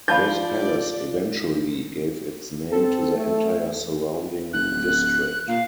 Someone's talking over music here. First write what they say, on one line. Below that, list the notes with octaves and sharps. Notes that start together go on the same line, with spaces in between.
This palace eventually gave its name to the entire surrounding district.
F3 D4 D5 F5 A5 B5 G6
C4 A4
A3
F#1 F#6
D1
A#2 F5